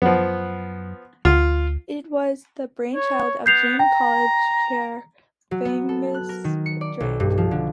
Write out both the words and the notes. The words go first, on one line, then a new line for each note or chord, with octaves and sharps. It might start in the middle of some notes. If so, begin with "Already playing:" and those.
It was the brainchild of James College Chair, Fergus Drake.
F#2 F3 B3
D2 F4
C#5
B3 G6 C7 F7
G5 A#5
F#3
B3
A4
F#6
A#4
D#3
C#7
D5
B1
G2
F3
D3